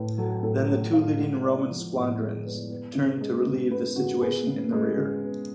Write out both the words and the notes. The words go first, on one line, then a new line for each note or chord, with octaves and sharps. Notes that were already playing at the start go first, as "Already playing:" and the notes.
Then the two leading Roman squadrons turned to relieve the situation in the rear.
Already playing: A2 A3 B4
F#3 A4
A2 A4
A3 C#5
A2 F5
G#3 F#5
B3 D5
F3
A2
G#3
B3
B3
C#3
G#3
C#3
B3 B4
C#3 F#4
B3 G#4
C#3
G#3
C#3
B3